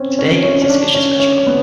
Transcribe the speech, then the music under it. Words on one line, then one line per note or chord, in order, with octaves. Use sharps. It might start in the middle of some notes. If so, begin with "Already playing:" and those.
Today it is Fischer's Restaurant.
Already playing: C4 C#4
C#4
C#4
C#4
D4
C#4
C#4
B3